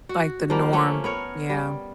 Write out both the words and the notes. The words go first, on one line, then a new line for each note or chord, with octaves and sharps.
Like the norm. Yeah.
F#4
F3 G3 A#3
A3 A#3 C#4
B3 A#4 C#5
G3